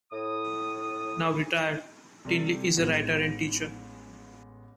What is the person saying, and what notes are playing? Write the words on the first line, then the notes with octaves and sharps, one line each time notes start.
Now retired, Tinley is a writer and teacher.
A2 D#6
C3 G3 A3
A1 G#3 B3 A#6